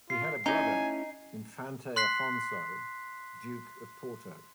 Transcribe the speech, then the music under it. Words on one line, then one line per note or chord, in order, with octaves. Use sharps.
He had a brother, Infante Afonso, Duke of Porto.
F4 C7
C#4 D#4 E4 G#5
C6 F#6 B6 C7